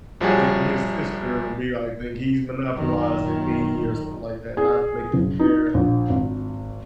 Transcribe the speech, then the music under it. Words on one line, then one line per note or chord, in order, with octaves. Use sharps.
then his sister will be like think he's monopolizing me, or something like that, and I have to make it fair,
A#1 F3 G3 F#4 G#4 C#5
F#2 D#3
G#4
F#1
D#4
A#1
G#1